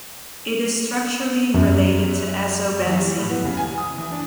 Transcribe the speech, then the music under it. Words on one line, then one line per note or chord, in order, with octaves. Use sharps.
It is structurally related to azobenzene.
F#2
E3
G3
A2
B3
C#3
G#5
D#6
E3
D4